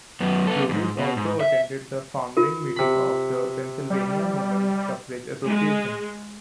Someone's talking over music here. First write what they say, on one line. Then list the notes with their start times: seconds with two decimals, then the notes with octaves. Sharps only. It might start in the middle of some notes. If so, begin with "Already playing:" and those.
Purvis also attended the founding meeting of the Pennsylvania Woman Suffrage Association.
0.20 F#2 B3
0.47 B3 A4
0.69 E2 G#2
0.99 B2
1.17 G#2
1.40 E5
2.37 F4 A#4
2.76 C3 B5
3.90 G3
5.46 G#3